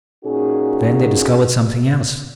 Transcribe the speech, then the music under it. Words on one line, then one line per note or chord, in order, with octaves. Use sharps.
Then they discovered something else.
A#2 C#4 D#4 F#4 G#4